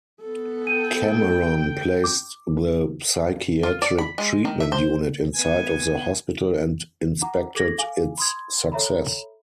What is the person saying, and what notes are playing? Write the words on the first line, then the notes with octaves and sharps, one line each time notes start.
Cameron placed the psychiatric treatment unit inside of the hospital and inspected its success.
B3 A4
G5 D#7
D6
F4
D5
B5
G#3
D#3
E5
C5
B3 G#5
F#5 A#5 D6
G#4 A4 D6 G#6 A#6 F#7
F5 G#5 D6
B5 C6 D#6 G#6
A4 C#5 E5 A#5 B5